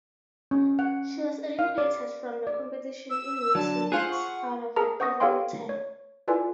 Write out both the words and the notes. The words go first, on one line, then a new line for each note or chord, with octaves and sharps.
She was eliminated from the competition in week six out of a possible ten.
C#4
F#5
F5
D5
D5
E6
D3 F#3 A5
F4 G#4 C5 F#5
C#6
G#4 A#4 A5 A#5
C5 F#5 C#6 D#6 A#6
G4 A4 C#5 F5 G5 C6
C#5
E4 F4 A4 B4 D5 G#5